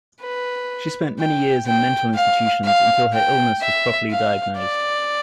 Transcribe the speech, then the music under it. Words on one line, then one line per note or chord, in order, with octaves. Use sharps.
She spent many years in mental institutions until her illness was properly diagnosed.
B4
G5
G5
F5
F5
G5
E5
F5
D5